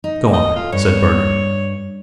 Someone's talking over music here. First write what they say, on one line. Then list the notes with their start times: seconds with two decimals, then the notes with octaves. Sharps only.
"Go on," said Bernard.
0.04 D#4
0.33 A4 D#5
0.56 F4
0.72 G2 C#5